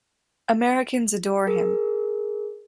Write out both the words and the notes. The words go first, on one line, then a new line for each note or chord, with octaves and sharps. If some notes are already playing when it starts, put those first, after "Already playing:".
Americans adore him.
G#4 A#4